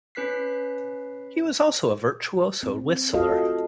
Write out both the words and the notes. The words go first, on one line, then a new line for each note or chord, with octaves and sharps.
He was also a virtuoso whistler.
C#4 B4 F#6 B6 C7
C4
F4 F#4 A4 D#5 F5